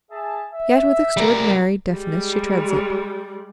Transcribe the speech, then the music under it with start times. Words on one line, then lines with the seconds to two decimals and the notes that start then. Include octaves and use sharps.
Yet with extraordinary deftness she treads it.
0.11 G#4 E5 A5
0.54 E5
1.17 G3 A#4
1.91 G3 G#3